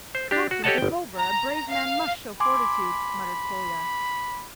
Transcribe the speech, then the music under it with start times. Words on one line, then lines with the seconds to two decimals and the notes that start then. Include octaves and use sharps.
"Captain, give over, a brave man must show fortitude," muttered Kolya.
0.15 C5
0.31 D4 G4
0.51 F#4
0.64 G4 A4 C#5 D#5 F#5 A5
0.78 G1 G5
1.16 A#5
1.71 F5
2.40 G#5 B5 C6 D6